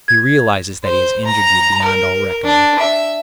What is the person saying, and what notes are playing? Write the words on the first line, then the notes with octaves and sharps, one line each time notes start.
He realizes that he has injured you beyond all reckoning.
G#6
C5
A#5
A#4
D4
E5